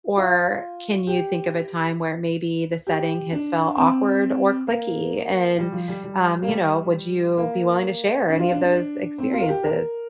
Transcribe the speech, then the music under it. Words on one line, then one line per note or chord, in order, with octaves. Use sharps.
or can you think of a time where maybe the setting has felt awkward or cliquey, and, um, you know, would you be willing to share any of those experiences?
F4
G4
G4
D4
C4
A#3
G3
F3
G3
G3
A#3
G3
A#3
D4
F4
D4
D4
D4
C4
F4
A#4
G4
A#4